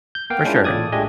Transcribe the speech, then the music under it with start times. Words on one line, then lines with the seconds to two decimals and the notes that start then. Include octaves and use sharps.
For sure.
0.15 G6
0.30 A#3 B3 F5 G5
0.44 G#3 C#4 D4 E4 F4
0.64 A1 A#2 A4 D5 D#6 G#6
0.92 G#3 A3 D4 G4 D#5 G#5